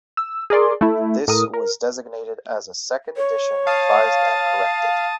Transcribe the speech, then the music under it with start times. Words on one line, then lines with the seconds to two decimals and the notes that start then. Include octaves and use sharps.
This was designated as a "second edition, revised and corrected".
0.17 E6
0.50 G#4 A#4 D5 C6
0.81 A3 E4
1.28 A2 A#4 D#6
1.54 A#4
3.17 C#5
3.67 F5 A5 D#6